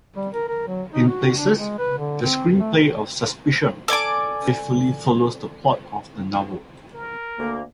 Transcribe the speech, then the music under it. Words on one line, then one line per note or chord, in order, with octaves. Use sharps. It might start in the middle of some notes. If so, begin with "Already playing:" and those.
In places, the screenplay of "Suspicion" faithfully follows the plot of the novel.
G3
A#4
A#4
F#3
D#4
F#4
D4
G#3
B4
D3
C4
A3
A4 D5 G#5 D6
A#4
D2 A#3